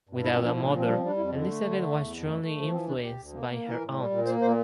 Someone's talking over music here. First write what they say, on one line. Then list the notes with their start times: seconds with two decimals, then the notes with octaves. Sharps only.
Without a mother, Elizabeth was strongly influenced by her aunt.
0.09 G2
0.24 A#2 E4
0.35 C4
0.40 F3
0.45 D4
0.55 A#2 E4
0.66 D4
0.71 F3
0.77 C4
0.86 G3 D4
0.97 C4
1.01 G3 D4
1.17 F2 E4
1.33 D3
1.48 A3
1.63 D3
1.78 A3
1.95 E2
2.10 F2
2.26 A3
2.41 A3
2.56 F3
2.71 E3 C4
2.88 D2 D4
3.03 D2 G4
3.18 D2
3.34 A#3
3.50 A#3
3.64 E3 A#4
3.81 A2
3.95 G3
4.10 A#2
4.26 A#3 C5
4.42 A#2 C5